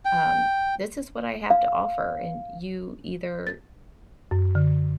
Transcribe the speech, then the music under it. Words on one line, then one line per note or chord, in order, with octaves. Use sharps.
um, "This is what I have to offer, and you either,
G5
F5
A6
F#2
D3